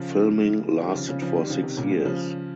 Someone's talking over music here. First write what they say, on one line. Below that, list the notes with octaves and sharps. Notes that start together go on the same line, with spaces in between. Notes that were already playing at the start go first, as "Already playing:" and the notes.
Filming lasted for six years.
Already playing: C#3 F3
D#3 G3
C#3 F3
C#3 F3
C#3 F3
D#3 G3
C#3 F3
C3 D#3
A#2 C#3
F3 G#3
G3
C#3 F3